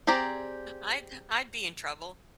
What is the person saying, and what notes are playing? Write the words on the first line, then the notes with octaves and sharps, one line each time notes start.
I'd I'd be in trouble.
C4 G4 G#4 D5 A#5